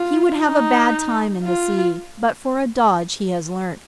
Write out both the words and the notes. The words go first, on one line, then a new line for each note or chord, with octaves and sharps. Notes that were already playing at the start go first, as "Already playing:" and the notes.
He would have a bad time in the sea, but for a dodge he has learnt.
Already playing: F4
D#4
F4